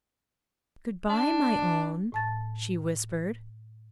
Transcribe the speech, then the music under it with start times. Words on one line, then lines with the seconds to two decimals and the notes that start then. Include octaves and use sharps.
"Good-bye, my own," she whispered.
1.09 D4
2.12 A2 A5 A6